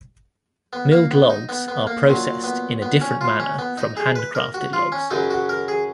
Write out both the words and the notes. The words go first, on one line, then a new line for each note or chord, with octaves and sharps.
Milled logs are processed in a different manner from handcrafted logs.
B3
A#3
B3
D#4
B3
B3
A#3
A#2 F#3
B3
B3
C#4
F4
C#4
B3
D#4
G#4
B4
A#4
F#4
F4
C#4
F#2 C#3 F#3 D#4
F#4
A#4
G#4